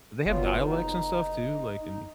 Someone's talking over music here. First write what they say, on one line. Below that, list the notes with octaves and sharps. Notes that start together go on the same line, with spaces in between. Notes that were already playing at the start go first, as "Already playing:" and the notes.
They have dialects and stuff too, like in
F#1 F#3 B3 F4
D#4
D#4